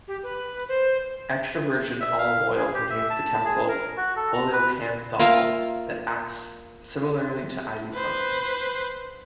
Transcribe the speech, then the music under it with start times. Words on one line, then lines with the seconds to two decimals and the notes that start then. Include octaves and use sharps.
Extra-virgin olive oil contains the chemical oleocanthal that acts similarly to ibuprofen.
0.08 G4
0.23 B4
0.68 C5
2.01 E5
2.18 F5
2.57 G#4
2.74 G4
2.90 E5
3.10 A5
3.45 G#4
3.69 A#4
3.97 F#4
4.16 A4
4.33 A#5
4.53 B4
5.19 A#3 F4 A#4 E5 F5
7.93 B4 C5